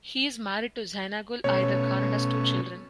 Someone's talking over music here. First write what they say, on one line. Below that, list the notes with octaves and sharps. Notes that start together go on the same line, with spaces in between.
He is married to Zhainagul Aidarkhan and has two children.
B2 A3 C#4 C#5